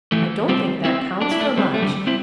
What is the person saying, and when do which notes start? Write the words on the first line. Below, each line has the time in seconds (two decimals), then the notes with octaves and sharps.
I don't think that counts for much.
0.12 E3 A3
0.49 G3 C4
0.85 C4 E4
1.21 D4
1.31 E4
1.40 A3 D4
1.57 G3 C4
1.74 A3
1.82 D3 G3
2.07 C4 E4